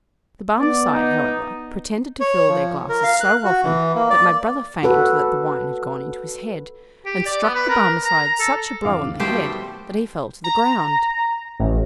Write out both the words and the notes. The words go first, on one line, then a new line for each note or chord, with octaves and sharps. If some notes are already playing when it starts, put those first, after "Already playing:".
The Barmecide, however, pretended to fill their glasses so often, that my brother feigned that the wine had gone into his head, and struck the Barmecide such a blow on the head, that he fell to the ground.
B3 D5
D#4
C#5
F3
A#4
F5
F#6
F#4
E3
A#3
D5
F#4 A4 B4
G4
D5
B3
B4
A#4
A#5
A4
F2 D3 E3 F5 D6
B2 D#3 F#3 G3 A3 F#4 G4 C5
A#5
A1